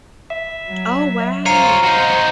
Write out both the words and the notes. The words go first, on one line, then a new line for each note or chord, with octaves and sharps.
Oh, wow!
E5
F#3
F4 C5 C#5 F5 A#5 C7 D#7
D#4 F#4